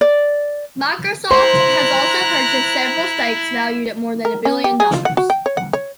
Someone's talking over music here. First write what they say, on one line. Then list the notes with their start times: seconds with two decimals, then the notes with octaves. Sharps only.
Microsoft has also purchased several stakes valued at more than a billion dollars.
0.01 D5
1.31 E4 C5 A#5 C6 F#6
4.25 A#4
4.45 C#4
4.64 G4
4.80 G#4
4.94 F4
5.05 F#5
5.17 F#4
5.30 G5
5.46 C#5
5.57 F#5
5.73 C#5